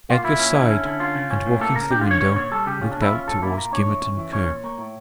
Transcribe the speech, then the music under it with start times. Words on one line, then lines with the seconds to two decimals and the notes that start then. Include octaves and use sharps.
Edgar sighed; and, walking to the window, looked out towards Gimmerton Kirk.
0.09 A#3 F4
0.24 A#2 E4
0.39 C#4
0.54 D3
0.70 C#4
0.85 D3
1.00 C#4 F4
1.15 C#3
1.31 C#4
1.46 A2
1.61 A#3 A4
1.76 C#3 A#4
1.91 D4 G4
2.01 F4
2.06 D3 C#5
2.21 C#4 C#5
2.36 A#2 C#5
2.51 G3 A4
2.66 C#3 G4
2.81 C#4 F4
2.92 A#2 D4
3.02 E4
3.12 C#4 F4
3.27 D3 A4
3.42 A#3 E4
3.57 A#2 A#4
3.72 D4 C#5
3.88 E3
4.03 C#4
4.17 E3
4.33 C#4 C#5
4.48 A#2
4.64 A#3
4.78 A2